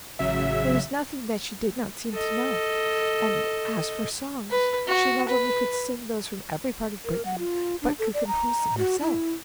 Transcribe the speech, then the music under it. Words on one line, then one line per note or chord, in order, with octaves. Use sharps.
There was nothing that she did not seem to know, and as for songs she not only could sing those from every part of Brittany, but could compose them herself.
A1 C#3 F#3 E5
A4 D#5
B4
F#4
B4
A#4
F#5
F4
D4
A4
D5
A#5
F#4
E4